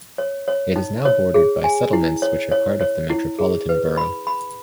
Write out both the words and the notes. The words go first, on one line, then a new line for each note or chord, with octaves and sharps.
It is now bordered by settlements which are part of the metropolitan borough.
C#5
C#5
D#4
C#5
G#4
G#5
E4
C#5
C#5
C#5
E4
G#4
B4
B5
B5